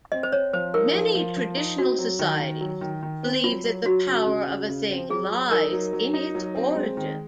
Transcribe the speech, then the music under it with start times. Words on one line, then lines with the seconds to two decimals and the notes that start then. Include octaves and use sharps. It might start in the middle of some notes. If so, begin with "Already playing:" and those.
Many traditional societies believe that the power of a thing lies in its origin.
0.12 C4 D#5
0.23 C5
0.32 C4 C#5
0.53 F3 C5
0.74 D#4 A#4
0.95 F3
1.15 F3
1.37 F3
1.57 D#4
1.78 C4 F#4
1.99 F#3
2.19 D#3
2.40 D#3
2.61 F#3
2.81 D#3
3.03 D#3
3.23 C4
3.44 F#3 F4
3.64 F#3
3.85 F#3 F#4
4.07 C#3
4.27 C#3
4.48 C#3
4.68 C#3
4.89 C4
5.10 F#3 G#4
5.31 F#3
5.51 D#4 A#4
5.72 F#3
5.93 F#3
6.14 D#4
6.35 F#3
6.56 C4
6.76 G#3
6.97 D#3